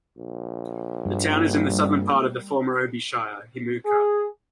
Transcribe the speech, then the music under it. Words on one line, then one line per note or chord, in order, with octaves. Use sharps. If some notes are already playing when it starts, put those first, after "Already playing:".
The town is in the southern part of the former Obi Shire, Himuka.
A#1
G2 G3 A#3
G#4